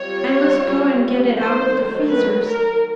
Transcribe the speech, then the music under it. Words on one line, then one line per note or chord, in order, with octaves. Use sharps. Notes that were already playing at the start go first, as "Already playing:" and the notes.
I must go and get it out of the freezers.
Already playing: G3 C4 F4 C#5
D#3 F#3 A3 C5
B4
A#4